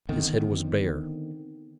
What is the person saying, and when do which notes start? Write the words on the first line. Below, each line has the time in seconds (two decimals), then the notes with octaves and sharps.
His head was bare.
0.09 D3 D#3 B3 C4